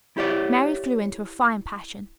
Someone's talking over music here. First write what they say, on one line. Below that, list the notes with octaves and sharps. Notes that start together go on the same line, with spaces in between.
Mary flew into a fine passion.
E4 G4 C#5 D5